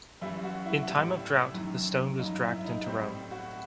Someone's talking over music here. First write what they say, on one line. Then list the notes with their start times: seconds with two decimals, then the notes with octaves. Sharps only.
In time of drought the stone was dragged into Rome.
0.21 F#2 E3 G3 E4
0.43 F#4
0.66 E4
0.87 A2 G3
1.54 F#2 D#3 F#3
2.19 G2 F#3 D#4
2.43 E4
2.64 D#4
2.86 A2 G3 C4
3.31 F#4